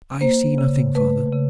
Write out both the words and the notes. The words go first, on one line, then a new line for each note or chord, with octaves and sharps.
"I see nothing, father."
A#3 C5
C#3
A3 B4
C#3